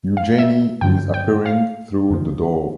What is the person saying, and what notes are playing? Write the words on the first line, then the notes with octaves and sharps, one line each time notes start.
Eugénie is appearing through the door.
F5
E5
G2 D3 F3 G5
G5
F5
F2 D3 F3